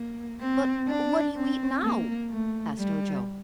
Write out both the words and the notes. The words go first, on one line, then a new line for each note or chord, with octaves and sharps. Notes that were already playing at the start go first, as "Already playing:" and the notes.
"But what do you eat now?" asked Ojo.
Already playing: A#3
C4
D4
C4
A#3
A3
G3